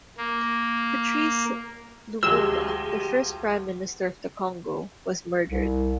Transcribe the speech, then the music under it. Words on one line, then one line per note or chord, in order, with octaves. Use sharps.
Patrice Lumumba, the first Prime Minister of the Congo, was murdered.
A#3
D2 F3 G#3 G4 E6
C2